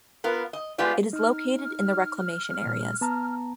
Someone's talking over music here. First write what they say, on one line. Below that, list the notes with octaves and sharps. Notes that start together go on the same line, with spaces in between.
It is located in the reclamation areas.
B3 F4 A#4
D#5
G#3 A3 B3 F4 G4 D5
D#4 F6
A#2
B3 A5 A#5